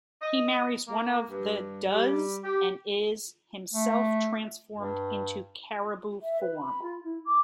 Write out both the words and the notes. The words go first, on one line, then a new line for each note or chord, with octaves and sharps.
He marries one of the does, and is himself transformed into caribou form.
D#5
A#3
G2
G3
G4
A3
G2
E5
B4
B5
F4
E4
D6